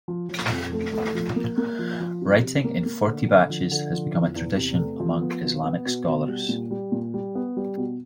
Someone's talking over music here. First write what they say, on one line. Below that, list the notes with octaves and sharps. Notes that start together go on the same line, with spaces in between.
Writing in forty batches has become a tradition among Islamic scholars.
F3
F3
F2
A3
A3
F3
A#3
A#3
F3
F3
C3
C3
A#3
A#3
D3
D3
F3
D3
F3
E2
E2
C3
A3
F3
B3
B2
B3
B2
B2
G3
A#2
G3
A#2
G3
B3
G3
B2